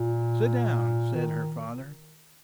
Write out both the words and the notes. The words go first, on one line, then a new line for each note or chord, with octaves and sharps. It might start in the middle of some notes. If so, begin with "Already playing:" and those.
"Sit down!" said her father.
Already playing: A#2
D#3